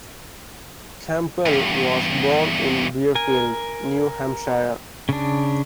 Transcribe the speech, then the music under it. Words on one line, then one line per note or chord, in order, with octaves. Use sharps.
Campbell was born in Deerfield, New Hampshire.
E2 G2
A#4 G#5
C#3 D4